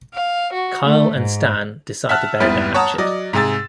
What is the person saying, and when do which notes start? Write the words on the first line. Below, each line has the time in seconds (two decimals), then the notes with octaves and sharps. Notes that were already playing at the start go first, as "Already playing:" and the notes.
Kyle and Stan decide to bury the hatchet.
0.14 F5
0.53 F#4
0.84 A3
1.17 G#2
2.09 E5 F#5 A5 F6 F#6
2.40 F1 G#2 G3 B3 E4 A6
2.74 C#5 F#5 A5 A#5 D#6
2.98 F#3 D5 D#5
3.33 G#2 C3 G#4 E6 A6